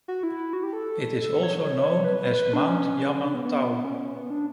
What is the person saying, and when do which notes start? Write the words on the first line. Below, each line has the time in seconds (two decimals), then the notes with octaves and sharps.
It is also known as Mount Yamantaw.
0.08 F#4
0.23 E4
0.53 F#4
0.63 G4
0.73 A4
1.43 C#5
2.04 B4
2.53 D4
2.64 C#4
3.24 D4
3.34 B3
3.45 B3
3.85 C#4
4.15 B3
4.30 D4